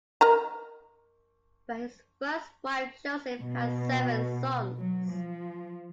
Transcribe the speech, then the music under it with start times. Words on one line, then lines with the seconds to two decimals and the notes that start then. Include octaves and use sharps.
By his first wife Joseph had seven sons.
0.21 A#4 D#5 A#5
3.42 B2
4.76 F#3
5.10 F3